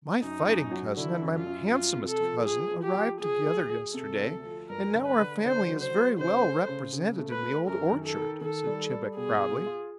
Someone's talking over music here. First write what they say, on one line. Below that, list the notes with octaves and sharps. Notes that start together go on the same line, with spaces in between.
"My fighting cousin and my handsomest cousin arrived together yesterday, and now our family is very well represented in the Old Orchard," said Chebec proudly.
F#2 D#4
F#2
F#3
D3 E4
F#2
F4
F#2
F3 F4
C3
A4
F3
F3 G#4
F3
G4
F3
F3 G#4
D2
D2
C3 A4
D2
F3
G2 A#4
D3
B4
D3
D3 C5
F#3
C5
F#3
C#3 C5
A3
C#3
C#3
A3
B4
A3
F#2 A#4
D#3
A4
D#3
D#3 A4
G3
G3
B2 G#4
F4
F4